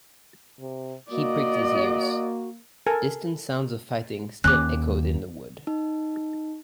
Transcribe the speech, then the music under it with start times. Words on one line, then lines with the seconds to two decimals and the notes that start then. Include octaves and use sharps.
He pricked his ears; distant sounds of fighting still echoed in the wood.
0.60 C3
1.11 A#3 F#4 D5 D#5
2.87 A4 A#4 G#5
4.44 D#2 C#4 D6 F#6
5.67 D#4